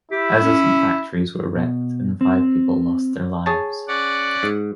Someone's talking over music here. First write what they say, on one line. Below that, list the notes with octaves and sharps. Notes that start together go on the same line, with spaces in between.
Houses and factories were wrecked and five people lost their lives.
E4 G4
C#4
B2
C4
G#4 C#5 A5
C#4 D5 F#5
G#2